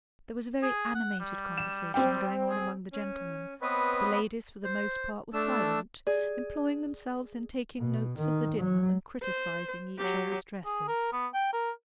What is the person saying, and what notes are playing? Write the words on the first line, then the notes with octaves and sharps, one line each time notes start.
There was a very animated conversation going on among the gentlemen; the ladies, for the most part, were silent, employing themselves in taking notes of the dinner and criticising each other's dresses.
G#4
F#5
G3
E7
G3 C4 G5
G#4
C#4
B3 C4 B4 C#5 D#5
C5
A3 D4 E6
G#4 D5
B2
D#3
F#3
C5
F#3 G4
G#4
A#4
B3
G5
A#4